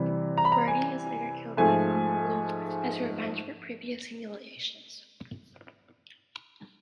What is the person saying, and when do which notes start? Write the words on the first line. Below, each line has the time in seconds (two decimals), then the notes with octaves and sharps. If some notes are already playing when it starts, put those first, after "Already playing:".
Birdie is later killed by Bugaloo as revenge for previous humiliations.
Already playing: C3 E3 G3
0.37 A#5
0.45 B5
0.52 A#5
0.68 G#5
1.57 G#2 F3 A3 G#5